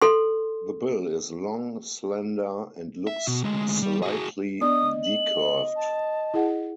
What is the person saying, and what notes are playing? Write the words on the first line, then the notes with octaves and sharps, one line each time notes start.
The bill is long, slender, and looks slightly decurved.
A4 C6
E5
B2
D2 G#3
G3
F#4 G#4
B3 D4 D5 D#5 D#6
F#7
A5
E4 G#4 F#5